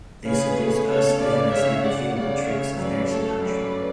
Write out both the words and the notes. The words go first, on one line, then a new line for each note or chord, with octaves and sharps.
They seduce us even as they reveal the tricks of their seduction.
C#3 G#4 B4
A3
C#3 A4 C#5
C#3 B4 D5
C#3 C#5 E5
C#3 D5 F#5
C#3 D5 F#5
C#3 C#5 E5
F#2 B4 D5
A3 A4 C#5
F#2 B4 D5